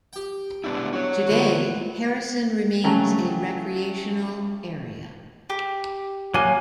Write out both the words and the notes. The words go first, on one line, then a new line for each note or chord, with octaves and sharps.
Today, Harrison remains a recreational area.
G4 G5
B3 D4 E4
F#4 C#5
A#2 D3 G3
C#3 F#3 A3 G4 A#5
G4
F#3 A#3 G#5